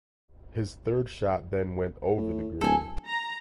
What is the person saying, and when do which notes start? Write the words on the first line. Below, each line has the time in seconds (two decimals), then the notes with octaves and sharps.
His third shot then went over the green.
2.18 A2
2.61 D1 A4 G#5
3.07 A#5